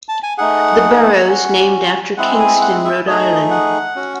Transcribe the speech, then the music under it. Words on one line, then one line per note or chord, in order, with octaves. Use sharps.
The borough is named after Kingston, Rhode Island.
A5
G#5
A3 D#4 G#4 F#5
C#4 F#4
G#3 C4 E4 G#4 F#5
G#5
F#5
E5
A3 D#4 G#4 D#5
F#5
C#4 F#4